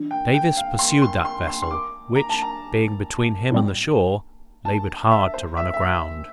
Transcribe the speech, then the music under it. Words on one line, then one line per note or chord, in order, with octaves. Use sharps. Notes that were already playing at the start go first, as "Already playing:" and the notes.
Davis pursued that vessel, which, being between him and the shore, labored hard to run aground.
Already playing: E3 D4
G5
G5
F5
C6
C6
C6
C6
C6
D6
A#5
A5
A#5
A2 G3 C4
A5
E5
C5
E5
E5